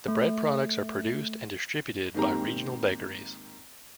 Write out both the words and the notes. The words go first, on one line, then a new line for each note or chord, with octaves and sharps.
The bread products are produced and distributed by regional bakeries.
A3
G#2 D#3 A#3 C4 G4 A#5